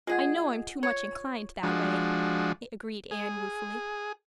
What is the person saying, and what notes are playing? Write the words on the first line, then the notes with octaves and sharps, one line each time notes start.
"I know I'm too much inclined that, way" agreed Anne ruefully.
G#3 F4 G#4 F#5
C#5
F3 G#3 D4 F#4
G#4